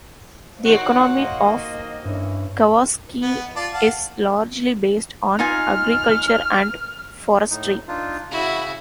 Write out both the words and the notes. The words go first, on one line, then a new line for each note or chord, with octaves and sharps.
The economy of Kawasaki is largely based on agriculture and forestry.
D#3 C4 D#4 F#4 C#5 F#5
A#3 D#5
G2 E3 C#4
B3
F4 D5 A5
F5 F#5 A5
D#4 F4 G#5 F6
A2 D#4
D4 D#4 F4
C#3 E4 F#4